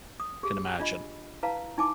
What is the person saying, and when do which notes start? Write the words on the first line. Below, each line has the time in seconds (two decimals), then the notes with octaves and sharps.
Can imagine.
0.20 D#6
0.43 G4 G#4
0.79 D4 F4 D#5 B5
1.43 E4 B4 F5 A5 A#5
1.78 D#4 E4 G#5 A5 D6